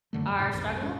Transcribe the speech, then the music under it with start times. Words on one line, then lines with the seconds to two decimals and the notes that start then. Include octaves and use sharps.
our struggles.
0.13 F#2 D3 A3
0.27 F#2
0.39 G#2 C3
0.53 A#1 F2 D#3
0.65 B1 F2 G#3
0.81 E1 G2 C#4